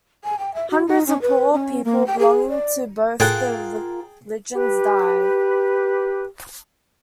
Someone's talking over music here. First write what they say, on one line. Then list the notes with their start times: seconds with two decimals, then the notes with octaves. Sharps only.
Hundreds of poor people belonging to both the religions die.
0.24 G#5
0.39 G5
0.54 E5
0.70 F#4
0.86 D#4
1.07 C#4
1.22 B4
1.53 C#4
1.84 A#3
2.06 G5
2.19 G#4
2.49 D5
3.20 A2 F4 G#4 A#4 F#5 G5 A5
4.55 G4 B4